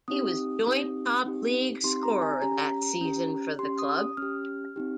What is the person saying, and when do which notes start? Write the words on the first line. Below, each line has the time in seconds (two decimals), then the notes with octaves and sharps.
He was joint top League scorer that season for the club.
0.08 C4 D#4 G4 D#6
0.67 C4 D#4 G4
1.25 C4 D#4 G4
1.83 C4 D#4 G4 C6
2.03 A#5
2.22 G#5
2.42 C#4 G4 A#5
3.01 C#4 G4
3.59 C#4 G4 C6
3.79 D#6
3.98 D#6
4.17 C#4 G4 F6
4.76 C4 D#4 G4